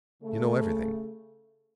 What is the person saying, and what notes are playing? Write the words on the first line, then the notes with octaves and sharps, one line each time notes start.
You know everything.
C#3 A3